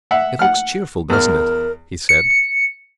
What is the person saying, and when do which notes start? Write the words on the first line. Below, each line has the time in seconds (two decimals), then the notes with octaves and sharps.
"It looks cheerful, doesn't it?" he said.
0.11 E5 F#5
0.39 F#5 F6
1.10 E2 A#4 F6
2.09 C#7